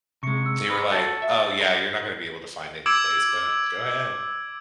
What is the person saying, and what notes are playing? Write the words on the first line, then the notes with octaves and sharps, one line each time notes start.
they were like, "Oh, yeah, you're not gonna be able to find any place, but go ahead."
C3 G#3 C#6 C#7
E6
B4
F#4 A4 A6
E5
D6 E6 G#6 D7